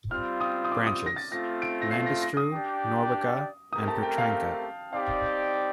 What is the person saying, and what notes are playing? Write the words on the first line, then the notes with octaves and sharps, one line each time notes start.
Branches: Landestreu, Nowica, and Petranka.
G3 C4 F4 F6
D#6
D#6
D6
D#6
A#6
A6
A3 C4 F4 A#6
D7
A#6
C7
A#6
A#6
D#6
D4 G4 D5 G5
A3 C4 G4 A#4 D#6
A5
G5
F5
C4 D#4 G4 D5 F5 G5